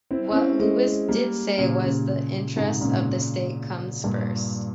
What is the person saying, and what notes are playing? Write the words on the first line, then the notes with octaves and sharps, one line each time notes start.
What Louis did say was: The interests of the state come first.
C4 E4
C#4
C4 E4
G#3 C4
G3 A#3
A#2 C#3
A#2 C#3
G#2 C3
A#2 C#3
G2 A#2